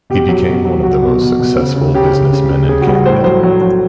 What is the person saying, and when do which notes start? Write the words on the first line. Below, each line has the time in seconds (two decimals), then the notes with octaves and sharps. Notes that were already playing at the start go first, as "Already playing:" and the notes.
He became one of the most successful business men in Canada.
0.10 B2 G4
0.29 F#3
0.46 B2
0.65 F#3
0.83 F#3 F#4
1.02 B2
1.21 B2
1.39 B2
1.58 C#3
1.76 C#3
1.94 C#3 G4
2.13 C#3
2.32 C#3
2.50 C#3
2.68 C#3 G#4
2.81 F#4
2.87 G3
2.94 F#4
3.06 A2 C5
3.24 F#3 C5
3.43 F#3
3.61 F#3